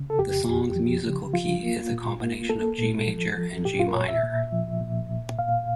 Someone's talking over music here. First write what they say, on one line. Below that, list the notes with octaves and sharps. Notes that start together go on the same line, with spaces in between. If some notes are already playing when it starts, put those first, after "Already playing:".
The song's musical key is a combination of G major and G minor.
Already playing: C#3
A4
F2 G4
F2
F3
C#3
F3 F4
A#3
A#2
A#3
A#3 A4
A#2
F3
F3
A#2 G4
F4
A#4
A#2 C#5
E5
A#2
F3
A#2
A#2
A#2 F5